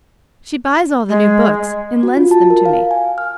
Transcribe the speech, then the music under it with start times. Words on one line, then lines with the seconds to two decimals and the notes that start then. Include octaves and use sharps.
She buys all the new books and lends them to me.
1.09 G#3
2.03 F#4
2.17 F4
2.31 A5
2.50 A#4
2.66 F5
2.91 G#5
3.18 F6